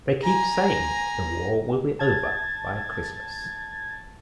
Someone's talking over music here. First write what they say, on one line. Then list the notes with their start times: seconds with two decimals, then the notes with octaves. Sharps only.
They keep saying the war will be over by Christmas.
0.23 G#5 A#5
1.99 A5 G#6 A6